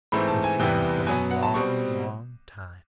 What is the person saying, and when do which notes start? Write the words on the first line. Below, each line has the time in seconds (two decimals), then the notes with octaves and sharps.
I have seen you for a long, long time.
0.12 G#2 E3 A3 C4 B5
0.28 A5
0.44 G#5
0.59 E2 C3 E3 G3 B3 G5
1.07 B2 F#3 B3 G#5
1.31 F#5
1.43 A5
1.54 B2 G3 C4 C#6